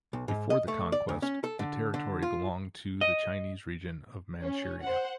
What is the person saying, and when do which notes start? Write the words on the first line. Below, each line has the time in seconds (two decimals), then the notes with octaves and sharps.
Before the conquest, the territory belonged to the Chinese region of Manchuria.
0.13 B1
0.28 G#2
0.50 D#5
0.68 A3
0.92 D5
1.09 D2
1.22 C#4
1.44 A4
1.59 D3
1.94 D3
2.22 F4
3.01 D#5
4.42 C#4
4.82 C5 F#5